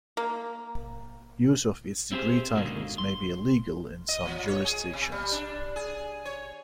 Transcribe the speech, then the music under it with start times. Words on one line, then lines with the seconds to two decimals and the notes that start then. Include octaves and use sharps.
Use of its degree titles may be illegal in some jurisdictions.
0.17 A#3
2.12 C4 E4 G4 G#4 C5
2.56 G#2 B2 D3 D#3 A#3
2.98 C6
4.09 D#5
4.25 F3
4.48 C#5
4.65 G#4
4.93 C3
5.12 G3
5.32 D4
5.76 G#4
6.25 C#5